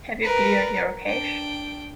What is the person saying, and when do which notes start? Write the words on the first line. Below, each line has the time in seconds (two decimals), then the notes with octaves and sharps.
Have you cleared your cache?
0.23 A#4 B4
1.04 D4 G5